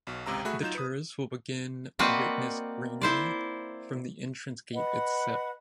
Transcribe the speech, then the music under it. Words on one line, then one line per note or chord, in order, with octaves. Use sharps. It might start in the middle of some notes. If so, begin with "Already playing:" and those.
The tourists will begin witness greenery from the entrance gate itself.
B1 B2
G#1 C#2 C3 A#5 E6
A3 F#4 G#4 E5 B5 F#6
F#3 D#4 F4 G6 E7
B4 D#6
A#3 C4 F#4 B4 D5 D#5
E4 C5 D5
B4 D#5 F#5